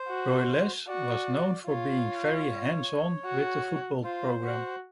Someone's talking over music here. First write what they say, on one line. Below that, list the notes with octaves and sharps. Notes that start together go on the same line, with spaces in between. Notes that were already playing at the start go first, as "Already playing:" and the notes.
Broyles was known for being very hands-on with the football program.
Already playing: C5
F#4
F#4 D5
F4 C#5
F#4
F4 C5
F#4